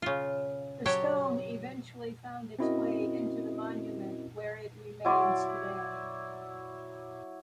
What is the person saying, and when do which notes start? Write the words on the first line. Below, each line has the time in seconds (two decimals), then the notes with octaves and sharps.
The stone eventually found its way into the monument where it remains today.
0.02 C#3 F4
0.86 F#3 G4 C#5 G5 A5
2.59 C4 C#4 E4 F#4 A#4 D#5
5.05 F#3 E4 D5 C6